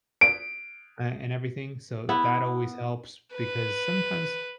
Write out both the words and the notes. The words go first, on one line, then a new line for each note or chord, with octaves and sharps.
uh, and everything so, that always helps because sometimes,
D7
B3 E4
B4